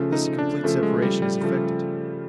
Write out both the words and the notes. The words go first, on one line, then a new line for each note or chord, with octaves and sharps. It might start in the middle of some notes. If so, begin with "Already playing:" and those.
Thus a complete separation is effected.
Already playing: C#3 F3 A3
D#4
D4
C#3 F3 A3
G#3
G3
G3
C#3 F3 A3